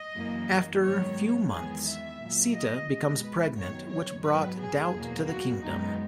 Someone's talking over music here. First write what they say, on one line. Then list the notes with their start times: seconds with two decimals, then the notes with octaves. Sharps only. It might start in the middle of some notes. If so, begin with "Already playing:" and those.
After few months, Sita becomes pregnant which brought doubt to the Kingdom.
Already playing: D#5
0.15 F#2 E3 A#3
0.83 G#2 D#3 F#3 B3 C#5
1.52 E2 D#3 G#3 B3 G#4
1.86 E5
2.20 A#2 F#3 A#3
2.54 D#5
2.89 B2 G#3 B3
3.22 B4
3.57 F#2 D#3 F#3 B3 C#5
3.91 C#5
4.25 G#2 F#3 B3 B4
4.60 G#4
4.94 E2 B2 F#3 A#3
5.28 F#4
5.62 F#2 D#3 G#3 B3 D#4